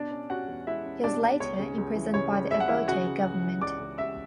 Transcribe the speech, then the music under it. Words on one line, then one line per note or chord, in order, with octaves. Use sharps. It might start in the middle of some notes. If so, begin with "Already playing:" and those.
He was later imprisoned by the Obote government.
Already playing: B2 D4 D5
C#4
C#4 F#4 F#5
E2
G#3 E4 E5
C#4
B2 D4 D5
B2
C#2 C#5
C#3
C#2
E3
C#3 C#5
C#2
C#2 E5
F#5
E3 E4 E5
C#3 F#4 F#5
C#3
C#2
E3
C#2 D5 D6
C#2
C#2 E5 E6